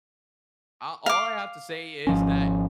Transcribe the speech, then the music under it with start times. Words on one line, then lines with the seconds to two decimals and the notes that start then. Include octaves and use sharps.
A all I have to say is that
1.06 F5 D6
2.07 G#1 F3 C#4